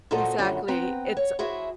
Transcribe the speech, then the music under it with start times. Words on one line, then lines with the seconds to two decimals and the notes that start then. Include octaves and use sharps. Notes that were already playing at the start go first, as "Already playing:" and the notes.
Exactly. It's, uh
0.11 A#2 F#4 A4 C5 D#5 A#5
0.38 F#2 A#2 D3 F#3 G3
0.68 B3 C4 B4 G5 A#5
1.17 C#5
1.39 E4 F#4 G#4 C5 E5